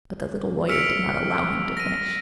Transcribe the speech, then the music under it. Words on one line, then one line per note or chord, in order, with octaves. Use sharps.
But the little lawyer did not allow him to finish.
E6 F6 B6 C#7 D7 F7
A#6 D#7